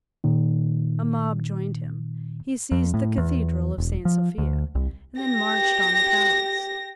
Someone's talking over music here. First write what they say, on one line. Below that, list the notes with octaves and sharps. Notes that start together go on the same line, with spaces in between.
A mob joined him, he seized the Cathedral of St. Sophia, and then marched on the palace.
A#2 D#3
F2
A2
E2
E1
F3
D2
C2
G4 A#6